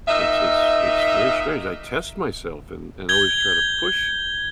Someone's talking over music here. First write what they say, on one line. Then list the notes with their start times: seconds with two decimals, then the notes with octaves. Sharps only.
It's it's it's very strange. I test myself and and always try to push
0.08 A#2 D#4 D#5 E5
3.09 G6 G#6 G7